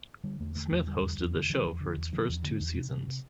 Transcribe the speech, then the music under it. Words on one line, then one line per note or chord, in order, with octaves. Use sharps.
Smith hosted the show for its first two seasons.
D3 G3
E2 A3
D3 A3
E2 A3
D3 G3
E2
E2
D3
D3 F3
E2
D3
E2
D3 F3
E2
D3
E2
C3
C3
C3